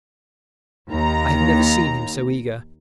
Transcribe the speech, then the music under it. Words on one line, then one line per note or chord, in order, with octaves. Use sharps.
I have never seen him so eager.
D#2 A#5